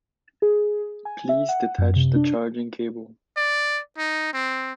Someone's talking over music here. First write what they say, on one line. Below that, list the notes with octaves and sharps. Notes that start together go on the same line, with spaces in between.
Please detach the charging cable.
G#4
G#5
E5
F#5
F#2
C3
D4
D5
D#4
C4